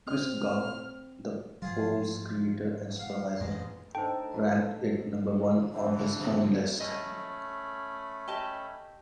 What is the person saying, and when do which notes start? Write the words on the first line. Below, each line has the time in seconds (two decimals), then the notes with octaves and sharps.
Christgau, the poll's creator and supervisor, ranked it number one on his own list.
0.07 C4 F6
1.62 G#2 F3 F#3 F4 G#4
2.96 F5 F#5
3.40 A1 F#2 A2 G#3
3.95 A2 D4 D#4 A4 C5 D#5 G5 A5
5.73 E3 D4 C5
6.80 A3 C#4 D#5 B5
8.28 G4 D#5 A5